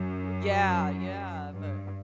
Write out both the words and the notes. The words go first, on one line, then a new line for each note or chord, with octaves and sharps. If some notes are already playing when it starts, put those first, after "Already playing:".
yeah, yeah, but
Already playing: F#2
G2